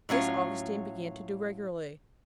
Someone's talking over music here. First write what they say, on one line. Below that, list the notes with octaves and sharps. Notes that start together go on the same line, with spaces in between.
This Augustine began to do regularly.
A2 F#3 C#4 F4